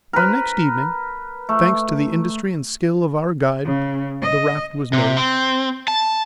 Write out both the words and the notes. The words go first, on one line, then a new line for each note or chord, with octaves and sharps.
By next evening, thanks to the industry and skill of our guide, the raft was made.
A#4 B4
A3
C#3
D#5
C3
C4
A5